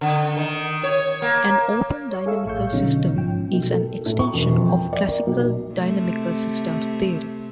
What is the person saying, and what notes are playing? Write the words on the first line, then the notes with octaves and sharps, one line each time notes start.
An "open dynamical system" is an extension of classical dynamical systems theory.
D3
D#3
C#5
A#3
C#5 C#6
G#4 A4 E5 F5 C#6 E6
A#1 A2 F5 C#6 G6
B2 D3 F#3 C#4 D#4
G#2 F3 G5
B1
A4
A2
C#6
E1
F2
G5
D5
A#4
B1
C3 A3